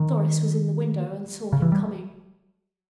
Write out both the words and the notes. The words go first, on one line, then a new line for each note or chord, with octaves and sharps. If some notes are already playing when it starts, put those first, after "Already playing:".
Doris was in the window and saw him coming.
Already playing: D#3
C#3
E3
G3